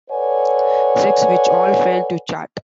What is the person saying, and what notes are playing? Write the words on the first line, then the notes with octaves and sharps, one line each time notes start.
Sex, which all failed to chart.
A4 B4 C#5 D5 F#5 G#5